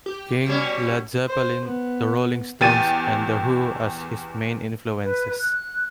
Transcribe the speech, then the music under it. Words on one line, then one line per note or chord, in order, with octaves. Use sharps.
King, Led Zeppelin, The Rolling Stones, and The Who as his main influences.
G4
B2 G3 C#4
C5
B3
E2 G4 A6 D#7
B4
F#6